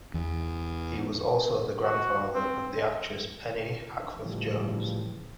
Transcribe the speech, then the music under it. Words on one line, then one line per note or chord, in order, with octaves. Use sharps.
He was also the grandfather of the actress Penne Hackforth-Jones.
E2
F#4
C4
A2 C#3 E3 F3 G3